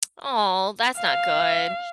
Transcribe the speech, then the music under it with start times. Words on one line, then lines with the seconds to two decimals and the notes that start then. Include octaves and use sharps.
Oh, that's not good.
0.98 F5